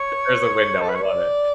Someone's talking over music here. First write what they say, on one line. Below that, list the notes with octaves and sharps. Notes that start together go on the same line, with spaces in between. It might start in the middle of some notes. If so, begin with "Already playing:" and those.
There's a window, I love it.
Already playing: C#5
A4
B4
C#5
D5